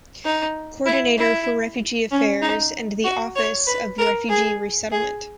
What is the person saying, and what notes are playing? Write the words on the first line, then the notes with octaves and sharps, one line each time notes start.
Coordinator for Refugee Affairs and the Office of Refugee Resettlement.
D#4
E4
E4
C#4
D#4
F#4
C#5
B4
A#4
G#4
G#4